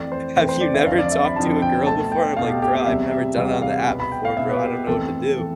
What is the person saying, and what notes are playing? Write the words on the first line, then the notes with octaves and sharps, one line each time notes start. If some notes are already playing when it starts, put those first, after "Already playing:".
have you never talked to a girl before?" I'm like, "Bro, I've never done it on the app before, bro. I don't know what to do."
Already playing: F2 E3 A3 C4 D5
C5
F2 E3 A3 C4 B4
C5
D5
E5
F2 D3 F3 F5
D5
E5
B5
F2 D3 F3 A5
G5
B2 A3 C4 A5
G5
B2 A3 C4 F5
G4
G4
G4
E2 C3 G3 E5
E5
E2 C3 G3 F5
F5
B2 B3 B5
B5
G5
F5
B2 B3 E5
B4
G4
G4
F2 E3 A3 C4 A4
E3 A3 C4